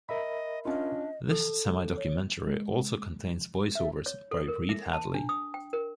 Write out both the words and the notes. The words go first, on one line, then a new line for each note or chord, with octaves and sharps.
This semidocumentary also contains voice-overs by Reed Hadley.
A#4 D#5 E5 B5
C#4 D4 F4 D#5
A4
C#5
G#3
A4 E5
C#5
A4
A#4
E5
A5
D4
D#6
G5
A#4